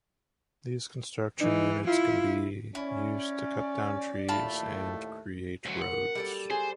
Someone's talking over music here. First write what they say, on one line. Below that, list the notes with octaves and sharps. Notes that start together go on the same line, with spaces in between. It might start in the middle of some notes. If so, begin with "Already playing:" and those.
These construction units can be used to cut down trees and create roads.
E3 D#4
E4 F4
C#4 E4 D5
D#2 A2 A3 F4 A5 B5
D2 F#3 C#4 C5
F#3 A#3 B3 F#5
G3 A4 D5
G#4 C5 D#5